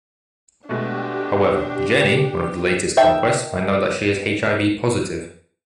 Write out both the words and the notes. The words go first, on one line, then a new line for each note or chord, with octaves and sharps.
However, Jennie, one of his latest conquests, finds out that she is HIV positive.
B2 G#3 A3 D4 G4
D#3 E5 G5 A5